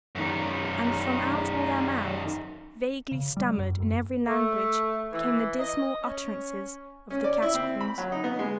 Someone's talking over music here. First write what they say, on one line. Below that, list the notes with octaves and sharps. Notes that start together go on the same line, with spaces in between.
And from out all their mouths, vaguely stammered in every language, came the dismal utterances of the catacombs.
F#2 D#3
C#3
G3
F#2
F#2
A3
E3
D#5
C#4
C#4
D5
E4
C4
B5
F#3
D#4
B3
G#3